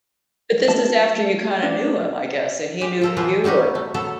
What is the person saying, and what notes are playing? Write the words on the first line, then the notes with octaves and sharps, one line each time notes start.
But this is after you kinda knew him, I guess, and he knew who you were.
F#3 A3 A5
D4
G#3 G4
F4 A4 A#4
E3 F3 B3 E4 F4 G#4
F#3 G3 D#4 F#4 G4
A3
F#3 B3 A4